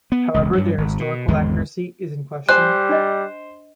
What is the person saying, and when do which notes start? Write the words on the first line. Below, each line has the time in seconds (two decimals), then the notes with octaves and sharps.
However, their historical accuracy is in question.
0.12 B3
0.34 E1 C#2
0.55 G2 F#3
0.78 G#1
0.99 B2
1.28 G#1 E2 D3 G#3
2.49 G3 C5 G#5 F#6
2.89 D4 D#5